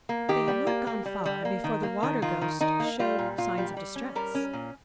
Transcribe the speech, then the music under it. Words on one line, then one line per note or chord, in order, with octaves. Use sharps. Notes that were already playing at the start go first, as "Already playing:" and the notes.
They had not gone far before the water ghost showed signs of distress.
A#3
D#3 G4
G3
A#3
A#3
G3
G3
A#3
D#3
A#3
D#3
D#3 F4
D#3
D#3 D#4
A#3
G3 F4
A#2
A#2 F4
G3
G3
C#4
G3 A#4
C#4
A#2